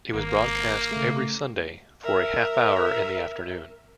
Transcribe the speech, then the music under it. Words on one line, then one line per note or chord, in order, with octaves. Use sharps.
It was broadcast every Sunday for a half-hour in the afternoon.
G#1 A#3
C#3 A3
A#4 E5